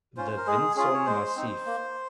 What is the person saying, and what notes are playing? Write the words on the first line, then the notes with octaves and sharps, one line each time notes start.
The Vinson Massif.
C#4 F4 C5
A#4
G#3 G#4
C#4 F4 G#4
C#5
G#3 C5
C4 D#4
A#3